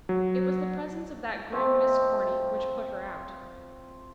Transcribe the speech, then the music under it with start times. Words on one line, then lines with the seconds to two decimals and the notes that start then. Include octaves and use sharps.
It was the presence of that grim Miss Corny which put her out.
0.09 F#3
1.52 F3 A3 C4 D#5